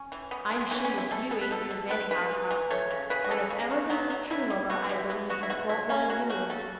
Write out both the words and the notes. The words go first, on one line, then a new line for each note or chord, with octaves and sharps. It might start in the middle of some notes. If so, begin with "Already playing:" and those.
I'm sure, if you ain't, you're very hard-hearted; for, if ever there was a true lover, I believe you've got one of your own.
Already playing: C#4
E3
B3
E3
B3
E3 C#4
C#4
B3
E4
B2 A4
B3 A4
B4
B2 A4
B2
B3 B4
E3 B4
E3
E3
A3 C#5
C#3
C#3 B4
F#4
E3 A4
C#3
A3
F#3 B3
F#3
B2 E4
B2
B3 F#4
B2 E4
B3
B3 F#4
E4
B2 F#4
B3 E4
C#3 C#4
F#3 F#4
A3 F#4
C#3 A4